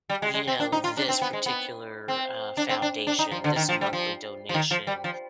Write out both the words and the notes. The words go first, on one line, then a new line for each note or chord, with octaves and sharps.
you know, this particular, uh, foundation, this monthly donation,
G3
G#3
G#3
C4
D4
D#4
F4
D4
C4
B3
G#3
B3
C4
D4
C4
D4
D4
D#4
F3
D3
D#3
F3
G3
F3
F3
D#3
F3
G3
F3